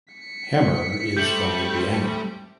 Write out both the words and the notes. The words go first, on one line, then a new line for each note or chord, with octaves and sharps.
Hemmer is from Indiana.
B6 C#7
G3 A3 C4 G6 F#7